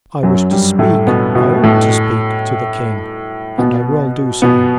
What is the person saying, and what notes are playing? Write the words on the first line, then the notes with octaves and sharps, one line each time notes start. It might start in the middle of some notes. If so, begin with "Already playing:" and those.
I wish to speak, I ought to speak, to the king, and I will do so.
F#2 F#3
G2 G3
A2 A3
B2 B3
B2 B3
A2 A3
B2 B3
B2 B3